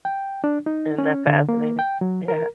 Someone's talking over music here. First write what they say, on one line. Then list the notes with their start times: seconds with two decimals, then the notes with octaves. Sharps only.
Isn't that fascinating? Yeah.
0.05 G5
0.44 D4
0.66 D#4
0.98 C#4
1.27 D3
1.49 A#3
1.79 G5
2.01 F#3
2.28 A#4